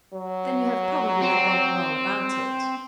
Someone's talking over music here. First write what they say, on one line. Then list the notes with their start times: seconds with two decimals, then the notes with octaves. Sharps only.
"Then you have probably forgotten all about it."
0.13 F#3
1.22 C4